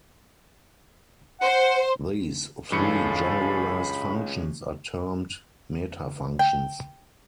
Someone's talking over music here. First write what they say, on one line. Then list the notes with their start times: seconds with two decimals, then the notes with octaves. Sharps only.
These three generalised functions are termed "metafunctions".
1.41 C5 F#5
2.72 C#2 G2 E3 A4 F5 G#5 B5 C#7
6.39 G5